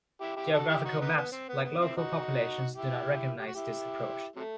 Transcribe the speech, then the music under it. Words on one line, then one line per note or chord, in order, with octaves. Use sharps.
Geographical maps, like local populations, do not recognize this approach.
E4 G4
E4 G4
F#4 A4
E4 G4
D#4 F#4
B3 D#4
B3
C4
B3
B3
C4 E4
D#4 F#4
E4 G4
G4
F#4
E4 G4
C3 F#3 A3